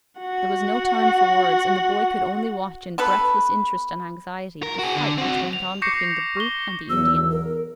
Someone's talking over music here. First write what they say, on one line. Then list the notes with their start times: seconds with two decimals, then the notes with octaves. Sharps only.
There was no time for words, and the boy could only watch in breathless interest and anxiety the fight which went on between the brute and the Indian.
0.20 F#4 F#5
2.98 B3 A4 B4
4.63 A#4
4.79 F#4 G#4
4.95 D3
5.18 C4 F#4
5.53 F7
5.82 C#6 D6 G6 A#6 C7 C#7
6.37 C#6 G7
6.90 B1 E2 E6
7.31 A#4